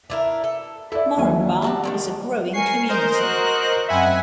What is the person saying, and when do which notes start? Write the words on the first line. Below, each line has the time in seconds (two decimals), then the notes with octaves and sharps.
Moranbah is a growing community.
0.10 D4 E4 A#4
0.44 A4
0.92 E4 A4 D5
1.17 D#2 F#3 G#5
1.62 G3 D4 F#4 A5
1.83 D#3 G#3 D4
2.53 A#4 G#5 C#6 C7
2.89 A#4 C5 D#5 G6
3.18 F#4 F#6
3.88 F#2 C4 E5 F#5 G#5 B5